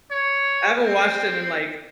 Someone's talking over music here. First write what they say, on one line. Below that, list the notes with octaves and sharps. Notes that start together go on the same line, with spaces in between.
I haven't watched it in, like,
C#5
C4